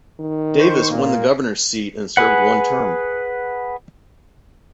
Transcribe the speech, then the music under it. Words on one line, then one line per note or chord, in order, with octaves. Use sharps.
Davis won the governor's seat and served one term.
D#3
C5 C#6
A#2 A#3
G#4 B4 F#5